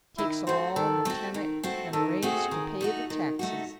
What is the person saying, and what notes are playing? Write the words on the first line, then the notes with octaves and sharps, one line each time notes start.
Takes all the tenant can raise to pay the taxes.
D#3 E4
A3 C4 F#4 C5
D#3 A4
A3 C4 F#4
D#3
A3 C4 F#4
D#3 A4
A3 C4 F#4 G#4
D#3
A3 D#4 F#4
D#3
A3 D#4 F#4